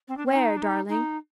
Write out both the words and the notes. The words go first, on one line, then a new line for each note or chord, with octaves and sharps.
"Where, darling?"
C4
D4
C4
D#4
D4
D#4
D#4